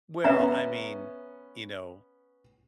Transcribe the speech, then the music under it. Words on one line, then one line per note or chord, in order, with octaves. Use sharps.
Well, I mean, you know.
B3 C#4 E5 A#5